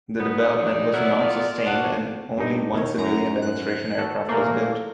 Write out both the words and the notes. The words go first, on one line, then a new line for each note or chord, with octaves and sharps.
The development was not sustained and only one civilian demonstration aircraft was built.
B3 D#4
F#3 D5
F#3 B3 E4 A#4
G#3 F4
D4 F#4 F5
G2 D#4
D#3 C#5
F#2 A#5
F#6
F#4 A4
A#2 A3 A#3